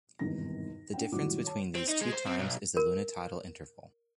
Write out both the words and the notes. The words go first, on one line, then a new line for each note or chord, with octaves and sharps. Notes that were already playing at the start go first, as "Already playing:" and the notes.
The difference between these two times is the lunitidal interval.
G#1 E2 G2 C3 D#4 A#6
D4 F#5 G5
F#1 A2 D#3 G3 F#4 D6
C#5 A5
C4
D#4
G#3
C5
C4
B1
A#4